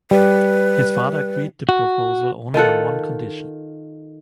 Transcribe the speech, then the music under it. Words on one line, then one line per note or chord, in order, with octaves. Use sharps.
His father agreed the proposal only on one condition.
G3 B4
F#4
D#3 F4 A4 F#5